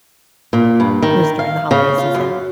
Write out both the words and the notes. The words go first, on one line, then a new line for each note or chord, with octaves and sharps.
it was during the holiday season,
A#2
G2
D#3
F5
C#3
F4
F#2